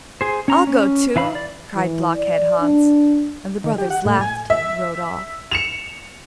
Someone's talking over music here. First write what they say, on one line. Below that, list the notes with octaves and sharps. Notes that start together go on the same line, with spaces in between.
I'll go to!' cried Blockhead-Hans; and the brothers laughed at him and rode off.
G#4 C5
C#4 A#5
C#4
E3 F5 B5
D5
E3
D5
D4
D#3
G4
F#5
A2
G#5
E5
C#7 E7 F7